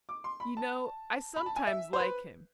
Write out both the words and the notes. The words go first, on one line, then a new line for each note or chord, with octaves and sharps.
You know, I sometimes like him.
D6
C6
B5
A5
B5
A5
G#5
E5
C5
B4